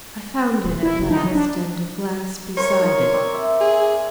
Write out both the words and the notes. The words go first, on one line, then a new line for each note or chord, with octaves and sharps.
I found it at last and a glass beside it.
D#1
E4
F#1
D#4
F#3
D4
A#4 C5 C#5 C#6
D#4
C4 D5
E5
G#4